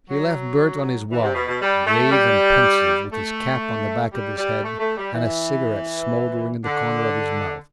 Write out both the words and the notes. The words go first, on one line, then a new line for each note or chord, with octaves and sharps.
He left Bert on his wall, grave and pensive, with his cap on the back of his head, and a cigarette smouldering in the corner of his mouth.
F#3
E3
C3
B2
B2
G3
A3
G3
A3
G3
G3
A3
A3
G3
E3
D3